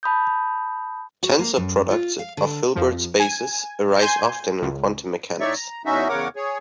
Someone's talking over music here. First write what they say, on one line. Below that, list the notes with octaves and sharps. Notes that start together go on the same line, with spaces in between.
Tensor products of Hilbert spaces arise often in quantum mechanics.
A5 B5 D#6 G6
F#4
A#3
F#2
F4
F5
D3
F2 F3
G#5
G#5 C6 G6
C#2
A2 D#4 C#5 D5 E5 C#6
A#5
E2 C#4 D#4 F#4 E5
E2 C#3 A#4 C#5 F#5 D6
G#4 C#5